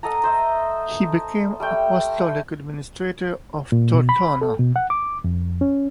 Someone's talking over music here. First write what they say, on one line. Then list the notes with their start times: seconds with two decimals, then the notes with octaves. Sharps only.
He became apostolic administrator of Tortona.
0.03 A4 D#5 F#5 A#5
0.24 C5 D#5 E5
1.60 G3 A3 G5
3.72 A#2
3.94 B2
4.09 B5
4.41 A4
4.60 B2
4.76 F#5
4.90 D6
5.24 F2
5.61 C#4